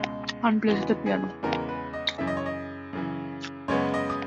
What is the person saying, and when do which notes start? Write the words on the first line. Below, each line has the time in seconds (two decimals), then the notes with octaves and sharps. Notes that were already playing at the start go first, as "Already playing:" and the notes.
Han plays the piano.
Already playing: C#2 B2 G#3
0.68 E2 C#3 E3 G#3 B3 F#4
1.06 G#4
1.43 E2 C#3 E3 G#3 B3 A#4
1.69 B4
1.93 D#5
2.18 F#2 C#3 E3 E5
2.27 D#5
2.37 C#5
2.46 D#5
2.93 F#2 C#3 E3
3.68 F#2 C#3 G#3 B3 C#5
3.94 D#5
4.10 D#6